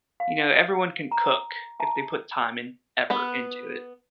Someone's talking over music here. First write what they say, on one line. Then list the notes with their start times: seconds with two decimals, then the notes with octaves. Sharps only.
you know, everyone can cook if they put time and effort into it.
0.20 F5
1.11 A#5
1.80 E5 A5 A#5
3.10 B3 B4 F#5